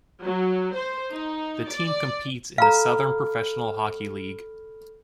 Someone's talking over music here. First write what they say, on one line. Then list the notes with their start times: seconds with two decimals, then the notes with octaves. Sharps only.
The team competes in the Southern Professional Hockey League.
0.23 F#3
0.76 C5
1.13 D#4
1.71 D5
2.58 A4 F5 A#5 B5 F6